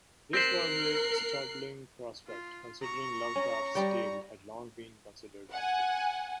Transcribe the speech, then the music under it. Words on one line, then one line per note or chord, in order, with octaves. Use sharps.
This was a startling prospect considering Lovecraft's tale had long been considered unfilmable.
C4 G4 A#4 C5 F#6 C7
F4
A#5 C#6
C#4
G3 D5 G5
F#5 G#5